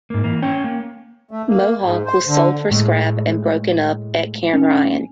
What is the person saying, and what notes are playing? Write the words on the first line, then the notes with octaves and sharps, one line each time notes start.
"Mohawk" was sold for scrap and broken up at Cairnryan.
G#2 A#3
E3 A#3
C#4 C#5 G5
A#3
A3
A#3
G#2
C5
D3
A2 G#3
C#4